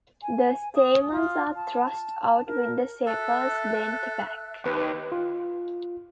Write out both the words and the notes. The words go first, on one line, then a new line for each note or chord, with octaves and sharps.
The stamens are thrust out with the sepals bent back.
G#5
D#6
F4
A5
A#4
A4 E5 F#6
D#2 B4
F4